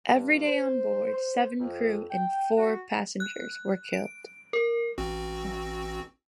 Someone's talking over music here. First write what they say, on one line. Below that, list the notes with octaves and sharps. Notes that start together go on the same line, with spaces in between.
Everybody on board, seven crew and four passengers, were killed.
G2
C5
C5
F2
G5
F#4
F#6
D7
A#4
A1 C4 F#4